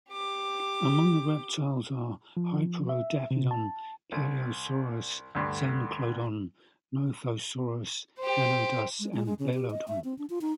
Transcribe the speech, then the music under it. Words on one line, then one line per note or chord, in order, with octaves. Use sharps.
Among the reptiles are "Hyperodapedon", "Palaeosaurus", "Zanclodon", "Nothosaurus", "Henodus" and "Belodon".
G4 D6
F3
E5
C3
A5
C2
D2 G2 D3
G4 C5
G#3
G#3
G#3
C#3
G4
D#5
E5
C4
D4
F4
D#4